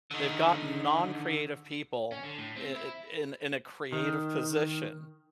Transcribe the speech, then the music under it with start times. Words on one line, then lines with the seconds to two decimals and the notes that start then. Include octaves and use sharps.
They've got non-creative people i i in in a creative position.
0.11 D3 D#3
2.12 C#4
2.24 D3
2.38 A2
2.56 C4
2.76 E4
3.92 D#3